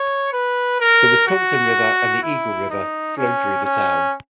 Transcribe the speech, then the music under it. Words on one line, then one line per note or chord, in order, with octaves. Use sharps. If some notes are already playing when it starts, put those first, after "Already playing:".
The Wisconsin River and the Eagle River flow through the town.
Already playing: C#5
B4
A#4
F#4
E4
D#4
C#4
C#4